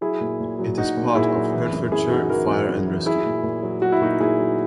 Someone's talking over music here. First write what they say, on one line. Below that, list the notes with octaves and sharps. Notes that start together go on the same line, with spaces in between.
It is part of Hertfordshire Fire and Rescue.
F#3 E4 G#4
A#2
A#2
F#3
F#3 D#4 F#4
A#2
A#2 E4 G#4
F#3
E3
F#2
F#2 E4 G#4
E3 D#4 F#4
E3 F#4 A#4
F#2
F#2
E3
F#3 E4 G#4
A#2
A#2
F#3
F#3 F#4
E4
A#2 D#4 F#4
A#2 E4 G#4
F#3